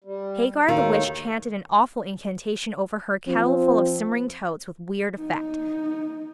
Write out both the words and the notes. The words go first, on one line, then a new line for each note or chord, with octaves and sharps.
Hagar, the witch, chanted an awful incantation over her kettleful of simmering toads, with weird effect.
G3
D#2 A2 D#3 F#4 A#4 F5
F3 C4
D#4